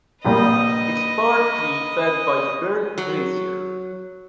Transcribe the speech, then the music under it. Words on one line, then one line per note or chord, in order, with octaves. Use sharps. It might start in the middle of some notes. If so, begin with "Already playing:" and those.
It is partly fed by the Berg Glacier.
A#1 G3 A#3 B4 D#5
F#3